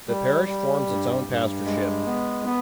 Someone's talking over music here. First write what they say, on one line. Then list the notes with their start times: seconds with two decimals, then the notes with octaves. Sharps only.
The parish forms its own pastorship.
0.08 G3
0.46 G3
0.86 G2
1.27 G2
1.65 G#3
2.06 B3
2.45 B3